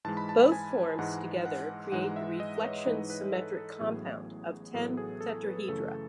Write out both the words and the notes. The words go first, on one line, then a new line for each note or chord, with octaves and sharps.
Both forms together create the reflection symmetric compound of ten tetrahedra.
G#2 E3 G#3 A5
B5
A5
G#5
G#2 E3 G#3 F#5
F#5
G#2 E3 G#3 D#4 F#5
E5
D#5
B4
C#5
G#2 E3 G#3 D#4 B4
B4
A4
A4
A1 A2 F#3 B3 G#4
A1 A2 F#3 B3 A4
G#4
A4
B4
F#2 C#3 E3 A3 A4